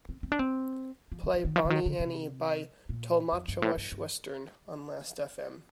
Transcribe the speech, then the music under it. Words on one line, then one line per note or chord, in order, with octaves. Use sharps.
Play Bonnie Annie by Tolmatschowa-schwestern on last fm.
C4
C4
D4
C4
F3
D3
D#3
D#3
F3
D3
D#3
D3
C3
A#2
F2
G2
A2
G2
G2